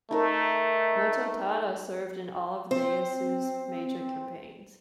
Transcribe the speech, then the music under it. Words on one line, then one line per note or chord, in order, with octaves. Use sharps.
Mototada served in all of Ieyasu's major campaigns.
A3 D#4 A#4 E5
C4 C5